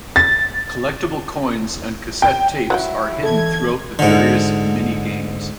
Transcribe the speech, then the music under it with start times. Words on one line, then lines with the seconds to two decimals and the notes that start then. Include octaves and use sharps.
Collectible coins and cassette tapes are hidden throughout the various minigames.
0.16 A6
2.22 G5
2.70 F#3 E4 F#5 G5
3.23 E3 A4 D#5 G#6
3.99 G#2 D3